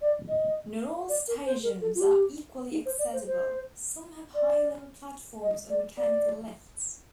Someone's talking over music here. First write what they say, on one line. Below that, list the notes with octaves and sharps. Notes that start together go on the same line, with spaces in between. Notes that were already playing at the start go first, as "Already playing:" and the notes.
Not all stations are equally accessible; some have high-level platforms or mechanical lifts.
D5
D#5
D5
A#4
C5
A#4
A4
F4
G4
D#4
C5
D5
C5
C5
D5
D#5
D5
D5